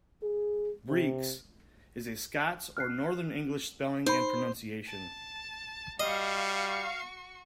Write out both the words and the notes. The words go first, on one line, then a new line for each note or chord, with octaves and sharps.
"Breeks" is a Scots or northern English spelling and pronunciation.
G#4
C3
F6 F#6 C7
D#4 C5 B5
A5
G3 F#4 D#5 F5 C#6